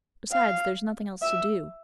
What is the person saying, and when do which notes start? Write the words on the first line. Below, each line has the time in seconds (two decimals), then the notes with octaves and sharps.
Besides, there is nothing else to do.
0.32 F5
1.22 E5